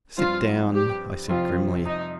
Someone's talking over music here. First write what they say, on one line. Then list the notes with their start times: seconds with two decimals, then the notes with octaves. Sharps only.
"Sit down," I said grimly.
0.18 G2 F3 C4 F4
0.74 G4
1.29 F2 C3 F3 C4 F4
1.84 D#4